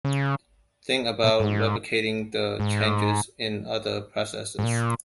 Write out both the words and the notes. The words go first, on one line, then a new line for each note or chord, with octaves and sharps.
Think about replicating the changes in other processes.
C#3
A#2
G#2
G#2
G#2
A#2